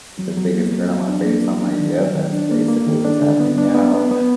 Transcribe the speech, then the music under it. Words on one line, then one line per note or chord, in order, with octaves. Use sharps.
with the biggest grin on my face. I'm like, "Yeah, that's basically what's happening now."
F#3
F#3
A#3
F#3
F#3
D4
A#3
F#3
D4
D#3
F#3
D#3
D4
A#3
A#3
D#3
D4
D3
B3
D4
B3
B3
B3